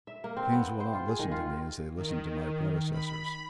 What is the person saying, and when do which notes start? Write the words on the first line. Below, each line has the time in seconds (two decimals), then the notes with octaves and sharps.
Kings will not listen to me as they listened to my predecessors.
0.07 E5
0.24 A#3
0.37 C4
0.52 B3
0.65 G5
0.80 C5
0.93 F4
1.08 G#4
1.19 D#3
1.32 F4
1.95 D#3
2.91 B5